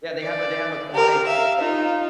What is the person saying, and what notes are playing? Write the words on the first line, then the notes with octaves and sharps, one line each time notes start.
Yeah, they have they have a Quantic
D5
G4 A#4
E5 F5
D#4 F4